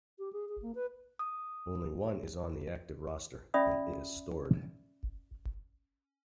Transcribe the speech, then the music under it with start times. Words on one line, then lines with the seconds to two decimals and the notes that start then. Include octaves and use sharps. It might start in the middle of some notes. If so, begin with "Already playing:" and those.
Only one is on the active roster, and it is stored.
0.19 G4
0.33 G#4
0.49 G#4
0.62 A#3
0.75 B4
1.19 D#6
3.54 C#4 D5 E5 B5 D#6